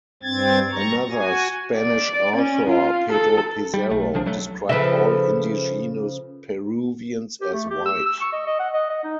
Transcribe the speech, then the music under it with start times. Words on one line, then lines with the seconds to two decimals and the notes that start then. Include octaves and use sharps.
Another Spanish author, Pedro Pizarro, described all indigenous Peruvians as white.
0.23 G2 C4 G#6 A6
0.72 A#5 C#6
1.11 F#4 G#5
1.78 D5
2.36 C#4
2.69 F4
3.12 A4
3.74 G3
3.90 B1 A3
4.14 C2 C#3 F3 D4
4.26 B1 F#3 A3
4.69 C#3 F3 A4 B4 E5
7.41 G4
7.53 A3
7.71 G4
7.86 E6
8.06 E6
8.21 C#6
8.33 D#5
8.46 D#5
8.59 F#5
8.74 D#5
8.90 D#5
9.04 D#4